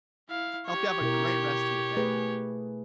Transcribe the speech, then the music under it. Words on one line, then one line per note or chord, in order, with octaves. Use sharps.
Hope you have a great rest of your day.
E4 F5
G4 C#5
B2 E4 A#4
A3 G#4 B4